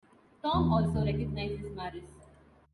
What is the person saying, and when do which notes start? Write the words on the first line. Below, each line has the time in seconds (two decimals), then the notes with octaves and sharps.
Tom also recognizes Maris.
0.54 E2
0.95 D2